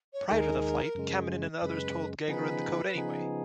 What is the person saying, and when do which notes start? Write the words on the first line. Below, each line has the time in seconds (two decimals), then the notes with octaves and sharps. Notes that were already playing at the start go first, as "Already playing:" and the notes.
Prior to the flight, Kamanin and others told Gagarin the code anyway.
0.13 C#5
0.28 D#2 D#3 G#3 D#4 G#4 A#4
0.95 F#2 C#3 G#3
1.61 F#2 C#3 G#3 B4
2.28 C#3 F3 B3 D#4 G#4 B4
2.95 C#3 F3 B3 D#4 G#4